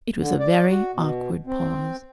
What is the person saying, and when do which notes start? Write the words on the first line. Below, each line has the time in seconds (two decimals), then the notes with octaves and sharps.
It was a very awkward pause.
0.18 D3
0.40 D5
0.70 F#4
0.93 B2
1.46 C4